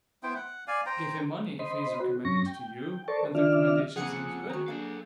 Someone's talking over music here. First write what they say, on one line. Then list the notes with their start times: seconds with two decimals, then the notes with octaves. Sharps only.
"Give him money, if he is recommended to you, and the recommendation seems good."
0.23 B3 E4 C5 G5
0.36 F#5
0.67 D5 F5 G#5
0.86 C5 G5 A#5
1.59 C5 D#5 B5 C6
2.00 F#4
2.25 G2 F#3 C#4 C#6 A#6
2.46 G5
3.08 A4 A#4 C5 D5 A5 C#6
3.35 D#3 D4 F4 D5 E5 F6
3.96 F2 C3 F3 A#3 C4 G#4 F#5 C#7
4.50 D#3 F#4 A#5
4.68 A#3 D4 A4 F5